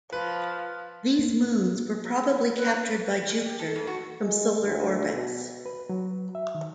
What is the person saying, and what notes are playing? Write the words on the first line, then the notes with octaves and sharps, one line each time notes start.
These moons were probably captured by Jupiter from solar orbits.
F3 B4
A#3
B4
B3
G#3
G4
A4
F2
F#4
G#3
D2
B2
B4
F#3
E5
D#3